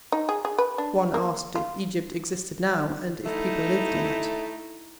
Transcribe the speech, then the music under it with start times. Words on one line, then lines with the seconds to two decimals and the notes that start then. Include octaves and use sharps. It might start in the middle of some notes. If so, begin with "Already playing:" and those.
One asked if Egypt existed now, and if people lived in it.
0.12 D#4
0.29 G#4
0.45 G#4
0.58 B4
0.78 D4
1.14 A#3
1.55 F4
3.25 A3 D#4 E4